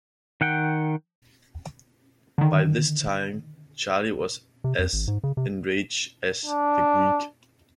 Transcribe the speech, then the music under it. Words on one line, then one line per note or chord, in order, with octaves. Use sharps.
By this time Charley was as enraged as the Greek.
D#3 F#5 G5
D3 D#3
C3
F2
G#1
G#2
C#3
C3
D4